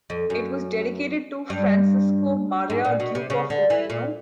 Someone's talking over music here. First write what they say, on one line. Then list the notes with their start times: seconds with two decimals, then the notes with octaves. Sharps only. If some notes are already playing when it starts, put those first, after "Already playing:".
It was dedicated to Francesco Maria, Duke of Urbino.
0.10 F2
0.30 F#2
1.50 G2
2.70 G#2
2.85 A#2
3.00 B2
3.15 C3
3.30 C#3
3.50 D3
3.70 E3
3.90 A#2